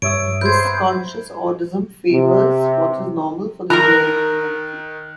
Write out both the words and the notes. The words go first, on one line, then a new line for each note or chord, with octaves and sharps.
Dysconscious audism favors what is normal for the hearing community.
G2 C#5 E5 D#6 D7
B4 C5 G6 G#6
F#5 A#5 B5
C3
D#3 A#4 A#5 F#6